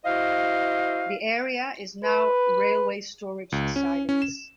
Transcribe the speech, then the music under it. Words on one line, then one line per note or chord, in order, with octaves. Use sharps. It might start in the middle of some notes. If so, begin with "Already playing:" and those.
The area is now railway storage sidings.
E4 F#4 C5 D#5 F5
B4
C#2
C#4
C#4
E7